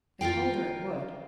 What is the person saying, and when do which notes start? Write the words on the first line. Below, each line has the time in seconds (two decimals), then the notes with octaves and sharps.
"I told her it would."
0.21 F4 A#4 F5 G5